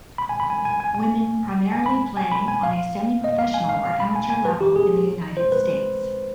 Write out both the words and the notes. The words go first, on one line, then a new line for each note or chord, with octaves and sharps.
Women primarily play on a semi-professional or amateur level in the United States.
B5
G#5
B5
G#5
G#5
G#5
G#5
G#5
B5
G#5
B5
G#5
F5
D#5
F5
G#5
F5
F5
B5
G#5
G#5
B4
G4
G#4
C5
B4